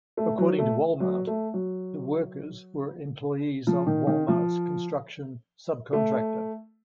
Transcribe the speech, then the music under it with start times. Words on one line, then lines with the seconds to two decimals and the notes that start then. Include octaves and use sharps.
According to Walmart, the workers were employees of Walmart's construction subcontractor.
0.17 A3
0.38 F#3
0.58 A3
1.00 F#3
1.27 A3
1.54 F#3
3.67 F3
3.87 D#3
4.07 D#3
4.28 F3
5.93 A3